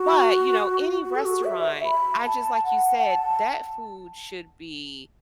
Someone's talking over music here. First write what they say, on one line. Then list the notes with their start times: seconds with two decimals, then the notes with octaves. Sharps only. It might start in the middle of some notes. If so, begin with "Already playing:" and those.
but, you know, any restaurant I just like you said, that food should be
Already playing: F#4
1.05 F#4
1.15 A4
1.25 F#4
1.44 E5
1.84 B5
2.25 A5
2.64 F#5
2.98 F#5
3.04 A5